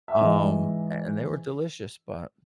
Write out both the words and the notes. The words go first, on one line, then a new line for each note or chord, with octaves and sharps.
um a and they were delicious, but,
E5
G#2 E3 D#5